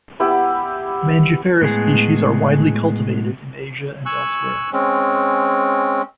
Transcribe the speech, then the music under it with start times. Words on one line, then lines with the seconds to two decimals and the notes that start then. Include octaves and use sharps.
"Mangifera" species are widely cultivated in Asia and elsewhere.
0.20 B3 E4 G4
1.62 A2 G#3 B3 E4 G#4
4.06 G#5 C#6 E6 F#6
4.72 G#3 C4 C#4